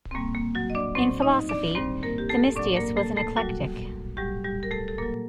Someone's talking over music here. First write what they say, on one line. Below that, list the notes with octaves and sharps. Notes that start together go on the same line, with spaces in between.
In philosophy Themistius was an eclectic.
C4
A2 G3 A#3
A#3
F#3 F#4
D#5
D4 D5
A2 F#3 C4 C5
D#4 D#5
D4 D5
G2 D#3 G3 C4 C5
A#3 A#4
G4
A3 A4
A2 F#3 D4 D5
A#3 A#4
A3 A4
A3 A4
A#2 F#3 G3 F#4
A2 F#3 G3 G4
G3 G4
A#4
A3 A4
A4
A#2 F#3 A#3 A#4